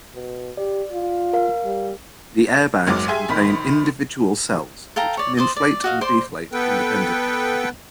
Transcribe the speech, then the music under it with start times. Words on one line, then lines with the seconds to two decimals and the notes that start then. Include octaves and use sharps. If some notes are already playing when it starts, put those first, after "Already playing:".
The airbags contain individual cells which can inflate and deflate independently.
0.15 B2
0.57 G4 D5
0.92 F4
1.33 A#4 F5
1.65 G3
2.87 F#1 G#2 F#3 D6
3.07 G4 G#4 E5 G#5 C6
3.29 A#1 D#3 B5 B6
4.96 A4 F5 G5 A#5
5.17 C#5 D5
5.37 C5 D5 D#5
5.56 D5
5.84 F#4 D#5 F5
6.01 C5 D5 C6
6.53 B3 A4 B4 G5